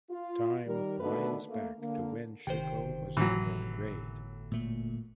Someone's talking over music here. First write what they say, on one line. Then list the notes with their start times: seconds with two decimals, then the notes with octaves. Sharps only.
Time winds back to when Shoko was in fourth grade.
0.10 F4
0.66 D#3 G3 A#4
1.00 D#2 B2 D3 D#3 A3 B4
1.49 A3 A#3
1.80 D3 A#3
2.47 G1 C3 D#3 C5 G5
3.17 A2 E3 F#3
4.51 A#2 A3